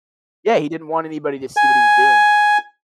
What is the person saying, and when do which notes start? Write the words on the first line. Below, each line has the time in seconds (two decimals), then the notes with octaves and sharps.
Yeah, he didn't want anybody to see what he was doing.
1.57 G#5